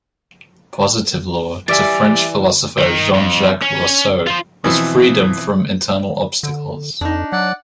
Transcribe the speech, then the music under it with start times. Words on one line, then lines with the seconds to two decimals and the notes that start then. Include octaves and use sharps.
Positive law, to French philosopher Jean-Jacques Rousseau, was freedom from internal obstacles.
1.68 E3 G3 E5 G#5 D6 A6
2.78 D#3
3.14 F2
3.62 C#4
4.27 F4 C5
4.64 B2 E3 F3 C4 E4
6.43 D3
7.01 F2 D4 D#4
7.32 F#3 D5 F#5